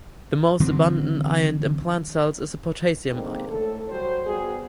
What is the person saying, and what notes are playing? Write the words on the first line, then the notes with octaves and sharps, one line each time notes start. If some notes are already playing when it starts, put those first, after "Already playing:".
The most abundant ion in plant cells is the potassium ion.
D3 E3 F#3 C4
D3 D#3 G#3 A#3 C4
A2 A4
F#3 G3 C5
G3 B3 F#4 G#4